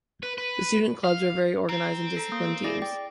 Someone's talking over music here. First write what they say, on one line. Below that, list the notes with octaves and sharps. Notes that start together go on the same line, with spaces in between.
The student clubs are very organized and disciplined teams.
B4
B4
F5
C4 A#5
A4 A#5
A#3
E4 G#4 D5 A#6
D5 G5